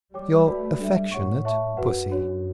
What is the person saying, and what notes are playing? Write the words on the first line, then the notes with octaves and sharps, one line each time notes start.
Your affectionate Pussy.
G3 G4 C#5 G5 D6
A3 F#4 B4 D5 G5 B5
G3 D4 A4 E5
A2 G4 C#5 F#5 C#6
C#5 E5 A5 C#6
F#2 F#4 B4 F#5
F#2 D4 F#4 C#5